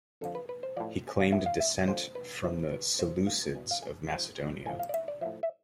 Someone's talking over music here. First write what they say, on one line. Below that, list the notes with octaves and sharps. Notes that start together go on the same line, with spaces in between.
He claimed descent from the Seleucids of Macedonia.
F2 D3 F3 A4
B4
B4
C5
A2 F3 D5
G#5
F5
E2 B2 E5
F5
E5
F2 D3 F3 C5
B4
E2 C3 E3 C5
B4
E2 C3 F3 C5
F5
E2 B2 G#5
F5
G#5
G#2 F3
A2 F3 G#5
F5
D5
E5
D5
A2 F3 E5
E5